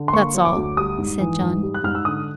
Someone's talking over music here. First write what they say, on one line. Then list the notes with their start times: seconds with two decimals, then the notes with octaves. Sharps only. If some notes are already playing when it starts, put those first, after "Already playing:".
"That's all," said John.
Already playing: D3
0.08 C6
0.13 A#3 C#6
0.34 F#3
0.45 D6
0.56 D2
0.77 G3 D#6
0.98 G#2
1.20 E3
1.41 G#2
1.63 G3
1.74 F#6
1.84 G#2 F6
1.95 E6
2.05 D3 D#6